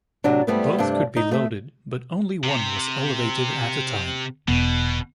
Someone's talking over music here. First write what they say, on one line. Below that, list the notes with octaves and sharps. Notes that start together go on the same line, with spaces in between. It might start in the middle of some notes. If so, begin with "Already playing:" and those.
Both could be loaded, but only one was elevated at a time.
A2 C3 F#3 D4
G3 A3 B3 C4 E4
G2 C3 A3 D4
D#4
A3 E5
C3
E1 B2 B3